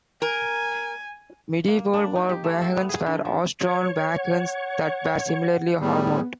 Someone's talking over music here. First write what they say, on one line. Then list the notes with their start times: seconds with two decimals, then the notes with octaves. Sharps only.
Medieval war wagons were horse-drawn wagons that were similarly armoured.
0.22 A#4 G#5
1.68 A#3
1.94 D4
2.16 D#4
2.29 G4
2.44 A3
2.61 C4
2.76 B3
2.89 G#4
3.06 D3
3.25 F3
3.61 C#5
4.18 F#5
5.81 A2 G3 B3 G#4